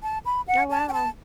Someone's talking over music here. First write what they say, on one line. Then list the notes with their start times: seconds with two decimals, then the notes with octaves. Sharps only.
Oh, wow.
0.03 A5
0.26 B5
0.48 F#5
0.70 A5
0.89 G5
0.93 A5